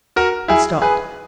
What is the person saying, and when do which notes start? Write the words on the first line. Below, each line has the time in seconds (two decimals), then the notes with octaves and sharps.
He stopped.
0.16 F#4 A#4
0.48 E4 G#4
0.82 G#4 B4